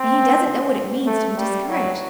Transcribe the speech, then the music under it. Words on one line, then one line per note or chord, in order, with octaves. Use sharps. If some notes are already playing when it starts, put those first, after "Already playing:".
And he doesn't know what it means to be discouraged.
Already playing: C4
A3
G3
F#3